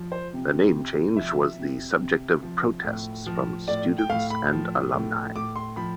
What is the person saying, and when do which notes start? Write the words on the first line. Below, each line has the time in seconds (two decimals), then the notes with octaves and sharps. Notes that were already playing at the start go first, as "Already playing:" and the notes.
The name change was the subject of protests from students and alumni.
Already playing: F3
0.12 C5
0.33 C3
0.75 C3
1.17 F3 E5
1.59 C3
2.01 C3
2.43 F3
2.84 A2
3.26 F3
3.68 A2 D5
3.98 G5
4.09 A2 F5
4.30 B5
4.52 F3
4.94 A2
5.36 A2 D6
5.56 C6
5.77 F3 B5